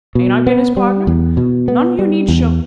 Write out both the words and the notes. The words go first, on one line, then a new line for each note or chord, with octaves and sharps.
Ain't I been his pardner? None of you need show.
B2
B3
G3
E2
B2
B3
G3
E2